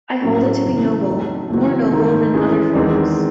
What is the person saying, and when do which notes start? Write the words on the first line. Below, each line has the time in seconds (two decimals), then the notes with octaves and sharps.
I hold it to be noble - more noble than other forms.
0.22 A2 F#3 A3 C#4
0.65 F#2 C#3 E3
1.07 F#3 A3 C4 D#4 A4
1.50 F#2 C#3 E3 C4 F#4
1.91 G#2 D#3 A3
2.34 E3 G#3 C#4 G#4
2.75 E2 D#3 G#3 C4